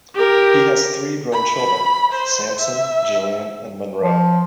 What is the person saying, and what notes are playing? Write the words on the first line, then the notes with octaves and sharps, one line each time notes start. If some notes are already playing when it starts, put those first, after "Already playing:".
He has three grown children: Samson, Gillian, and Monroe.
G4 A#4
B5
C5
E5
F3